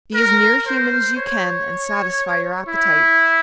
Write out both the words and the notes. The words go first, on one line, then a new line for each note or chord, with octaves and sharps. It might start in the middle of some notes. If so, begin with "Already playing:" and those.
"Be as near human as you can and satisfy your appetite."
A#4
C5
C#5
E4